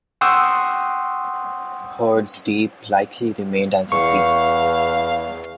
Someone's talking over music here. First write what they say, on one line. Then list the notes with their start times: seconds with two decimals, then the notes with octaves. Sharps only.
Hurd's Deep likely remained as a sea.
0.21 F#5 G5 C6 C#6 D#6 E6
3.92 E2 F5 C#6